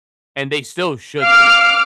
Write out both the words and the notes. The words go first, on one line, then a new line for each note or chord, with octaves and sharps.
and they still should be
F5 D6 F6